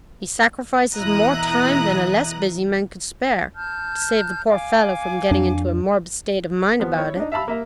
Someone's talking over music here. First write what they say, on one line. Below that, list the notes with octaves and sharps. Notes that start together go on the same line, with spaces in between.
He sacrifices more time than a less busy man could spare, to save the poor fellow from getting into a morbid state of mind about it.
E2 B2 E4 A#5 D#6 F#6
A5 F6 G6
F5 G#5 D6
F2 D4
F3 B3
E4 C#5
D4 D#4
E5 F5 A5 B5 E6
A#3 E5 A#5